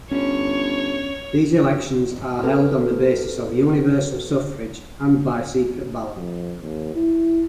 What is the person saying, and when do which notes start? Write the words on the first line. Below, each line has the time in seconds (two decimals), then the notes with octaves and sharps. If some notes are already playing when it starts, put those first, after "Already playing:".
These elections are held on the basis of universal suffrage, and by secret ballot.
0.11 G1 C#4 C#5
2.44 C4 A4 B4
6.16 F2
6.59 D#2
6.95 E4